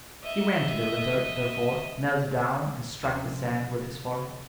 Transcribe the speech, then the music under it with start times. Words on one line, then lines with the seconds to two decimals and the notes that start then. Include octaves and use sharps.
He ran to the litter, therefore, knelt down, and struck the sand with his forehead.
0.23 D#5 E5
3.03 D2 C3 F3 C#4 G#5 C6